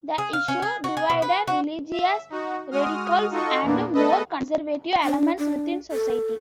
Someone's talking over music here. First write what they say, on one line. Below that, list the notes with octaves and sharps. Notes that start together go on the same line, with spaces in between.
The issue divided religious radicals and more conservative elements within society.
G#4
F5
C#4
G#4
F#4
G#4
B2
B4
F#4
E5
D#4 F#4
G#3 F#4 D#6 F6
D#4 F4 F#4 A4 D#5 C#6
E2 A#2 A#3 B3 D4
A3 B3 A4 B4 D#5
D4
D4
A4